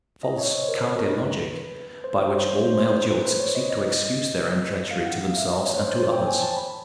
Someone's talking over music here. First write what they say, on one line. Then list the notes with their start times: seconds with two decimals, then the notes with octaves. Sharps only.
False, cowardly logic, by which all male jilts seek to excuse their own treachery to themselves and to others!
0.23 D#5
0.38 C#5
0.53 C5
0.68 A#4
0.84 B4
0.98 A#4
1.13 B4
2.04 C5
2.20 C5
2.34 C#5
2.50 C5
2.65 C5
2.80 C5
2.95 B4
3.05 B4
3.10 C5
3.25 B4
3.40 C#5
3.55 D#5
3.70 D#5
4.91 F5
5.06 F#5
5.21 F5
5.36 E5
5.51 D#5
5.66 C#5
5.78 C5
5.89 C5
6.00 C#5
6.12 G5
6.27 G#5
6.42 A5
6.57 B5